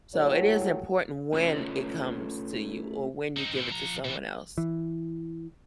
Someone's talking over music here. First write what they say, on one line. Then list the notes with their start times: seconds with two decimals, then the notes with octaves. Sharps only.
so, it is important when it comes to you, or when you give it to someone else.
0.14 A#2 F#3 A3 E4 G4 C#5
1.33 A3 C#4 F4 B4 C#5
3.37 C4 D#4
3.55 A2 C4
3.71 F3 A#5
4.05 B2 E3
4.58 E3